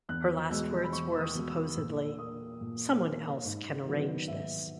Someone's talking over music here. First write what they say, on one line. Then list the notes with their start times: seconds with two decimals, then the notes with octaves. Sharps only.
Her last words were supposedly, "Someone else can arrange this".
0.09 E2 F#6
0.50 B2 G#3 E6
0.84 B5
0.93 E2 C#6
1.16 E6
1.20 D#6
1.35 B2 G#3
1.49 E6
1.77 A#2 E6
2.19 A#3 D#6
2.61 A#2
3.02 A#3
3.45 G#2
3.86 D#3 F#3 B3
4.28 G#2 E5